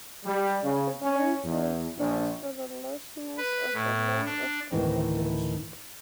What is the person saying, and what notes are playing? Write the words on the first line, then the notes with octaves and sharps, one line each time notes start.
The green field stands for the lushness of the land of Bangladesh.
G3
C#3
C#4
E2
A#1
B4
A2
D4
D2 A2 D#3 E3 C4 D#4